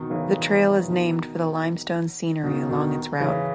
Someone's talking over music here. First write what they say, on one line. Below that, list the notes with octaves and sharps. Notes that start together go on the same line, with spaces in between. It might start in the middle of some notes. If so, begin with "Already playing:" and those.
The trail is named for the limestone scenery along its route.
Already playing: B2 D#3
C#3 E3
B2 D#3
B2 D#3
B2 D#3
C#3 E3